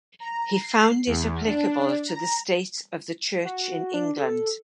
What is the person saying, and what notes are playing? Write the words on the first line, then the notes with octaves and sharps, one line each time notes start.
He found it applicable to the state of the church in England.
A#5
C7
E2
D4
A#5
F#4
D4
A4